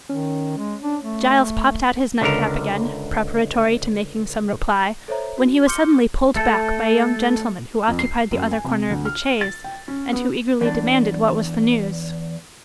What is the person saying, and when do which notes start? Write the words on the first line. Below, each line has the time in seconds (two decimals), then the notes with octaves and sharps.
Giles popped out his nightcap again, preparatory to making some reply, when he was suddenly pulled back by a young gentleman who occupied the other corner of the chaise, and who eagerly demanded what was the news.
0.09 D#3 C#4
0.58 G#3
0.82 D4
1.02 A3
2.21 C#2 D3 A#4
5.08 A4 C5 C#5 E5 A#5
5.38 F#4
5.67 C6 D6 F6 G6 C#7 G7
6.36 A3 A4
7.88 F2
7.99 C7
8.32 F#2
8.51 G#5
8.64 C3
8.90 D2
9.05 F6
9.41 A6
9.64 G5
9.88 C#4
10.13 B3
10.61 E2 D4